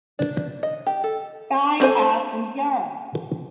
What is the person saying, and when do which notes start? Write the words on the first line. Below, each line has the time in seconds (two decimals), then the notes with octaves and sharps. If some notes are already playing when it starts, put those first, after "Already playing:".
Sky, Ass and yarn!
0.19 D4
0.63 D#5
0.87 G4
1.04 A4
1.80 C4 F#4 A4 C5 G#5